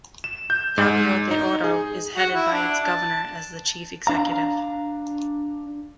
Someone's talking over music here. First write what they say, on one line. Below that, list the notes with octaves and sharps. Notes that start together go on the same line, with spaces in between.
Davao de Oro is headed by its governor as the chief executive.
E7
G6
G#2
D#4
G#4
F#4
E4
D4
A5
D4 F5 A#5